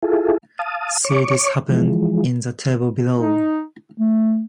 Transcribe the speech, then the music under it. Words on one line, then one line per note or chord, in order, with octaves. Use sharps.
See this happen in the table below.
E4 F4 G#4 A4
F5 A5 D#6
C#5 C#6 D6
E3 F3 G#3
D#4
A3